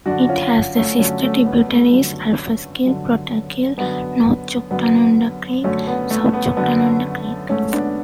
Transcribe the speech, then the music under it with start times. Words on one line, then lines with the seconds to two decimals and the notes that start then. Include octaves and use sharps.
It has the sister-tributaries: Alplaus Kill, Plotter Kill, North Chuctanunda Creek, South Chuctanunda Creek.
0.06 F#2 D3 D4 F#4
0.22 F#4
0.29 C#4 F4
0.76 A3 C#4
0.99 F#2 D3 A3 C#4
1.22 A3 C#4
1.46 B3
1.69 A3
1.93 F#2 D3
2.86 F#2 D3
3.77 F#2 D3 B3
4.71 F#2 D3 B3
5.64 F#2 D3 A3 C#4
5.87 B3
6.10 A3
6.33 B3
6.57 F#2 D3 B3
7.49 G#2 A3 C#4
7.72 B3 D4